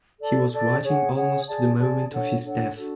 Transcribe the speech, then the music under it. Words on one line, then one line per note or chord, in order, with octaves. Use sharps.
He was writing almost to the moment of his death.
A4 D5 A5
A4 D5 A5
G#4 C#5 F#5
G#4 C#5 F#5
G#4 D5 A5
G#4 D5 A5
D4 A4 C#5 F#5
D4 A4 C#5 F#5
D4 F#4 A4